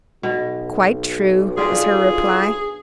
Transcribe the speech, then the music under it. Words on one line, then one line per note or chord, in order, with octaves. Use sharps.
"Quite true," was her reply.
B1 B2
D4 F4 G4 G#4 A#4